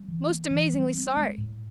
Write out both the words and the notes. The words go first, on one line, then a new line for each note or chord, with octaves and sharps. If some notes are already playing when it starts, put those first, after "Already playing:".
Most amazingly sorry!
Already playing: G3
E3
A#3
E3
G3
C4
G#3
A2